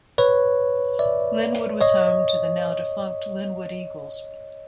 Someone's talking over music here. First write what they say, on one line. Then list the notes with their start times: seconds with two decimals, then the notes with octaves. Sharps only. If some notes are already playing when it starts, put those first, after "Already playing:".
Lynnwood was home to the now defunct Lynnwood Eagles.
0.18 B4 C#5
0.99 D5 E5
1.81 C#5 D#5